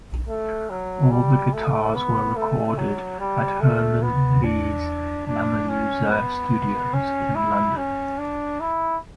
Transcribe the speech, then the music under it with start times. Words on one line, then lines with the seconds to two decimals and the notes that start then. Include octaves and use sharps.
All the guitars were recorded at Herman Li's LamerLuser Studios in London.
0.28 A3
0.70 F#3
1.11 G3
1.53 A3
1.95 B3
2.36 A3
2.78 F#3
3.19 G3
3.60 A3
4.02 B3
4.44 D4
5.27 D4
5.69 C#4
6.10 B3
6.94 C#4
7.35 E4
7.77 C#4
8.18 D4
8.60 E4